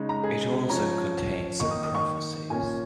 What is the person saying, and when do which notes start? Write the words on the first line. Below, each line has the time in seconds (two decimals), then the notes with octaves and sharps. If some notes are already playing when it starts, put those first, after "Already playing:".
It also contains some prophecies.
Already playing: C#3 G#3 D#4
0.09 A#5
0.24 G#4
0.70 F3 C#4 A#5
1.60 D#3 A#3 D#4 C#6
1.71 D#6
1.83 D#6
1.95 C#6
2.50 A#2 A#3 C#4 G#5